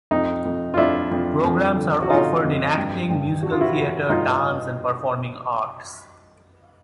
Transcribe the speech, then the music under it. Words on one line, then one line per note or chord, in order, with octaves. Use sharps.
Programs are offered in Acting, Musical Theatre, Dance and Performing Arts.
F2 D#4
F2
F4
F2 D4 E4
F2
F2
D3
F#4
D3 D#4 F4
F2
G2
G2
G3 F#4
F4
E4 F#4
E3
G2 D#4 F4